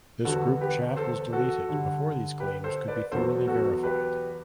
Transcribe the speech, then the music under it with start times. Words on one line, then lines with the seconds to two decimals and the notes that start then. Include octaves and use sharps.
This group chat was deleted before these claims could be thoroughly verified.
0.25 E2 D3 G3 B3 F#4 A4
0.61 G4 B4
0.96 A4 C5
1.32 F#4 A4
1.69 G2 D3 G3
2.40 G4 B4
2.64 A4 C5
2.88 B4 D5
3.11 E2 B2 F#3 B3 A4 C5
3.48 F#4 A4
3.83 G4 B4